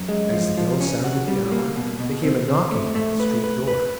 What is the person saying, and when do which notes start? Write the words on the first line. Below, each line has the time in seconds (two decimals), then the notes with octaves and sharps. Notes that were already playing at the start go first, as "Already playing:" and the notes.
As the bell sounded the hour, there came a knocking at the street door.
Already playing: F#2
0.08 G#3
0.33 F3
0.57 F3
0.80 C#4
1.04 F#4
1.28 G3
1.52 A#3
1.76 B2
2.00 B2
2.24 C4
2.48 C4
2.71 A3
2.95 A3
3.20 B4
3.44 B4
3.68 B4